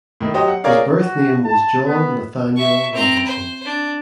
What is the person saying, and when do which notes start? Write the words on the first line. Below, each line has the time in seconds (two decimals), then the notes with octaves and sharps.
His birth name was John Nathaniel Robinson.
0.20 A2 D#3
0.34 F#3 G4 C5 D#5
0.48 F#5
0.64 G#4 A#4 C#5 D5 F5
1.01 F#4
1.44 A5
1.86 B3
2.56 E5 C#6
2.95 C4 A#5
3.27 C5
3.65 D4